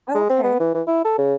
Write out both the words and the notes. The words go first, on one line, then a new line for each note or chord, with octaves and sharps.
Oh, okay
G#3
C4
B3
E3
E3
E4
A4
C#3